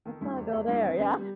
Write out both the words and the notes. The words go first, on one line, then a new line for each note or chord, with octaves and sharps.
Let's not go there, yeah.
D#3 A4
G2 E4
E2
E2
G2 E4
D#3 C4
F#2 B3
G3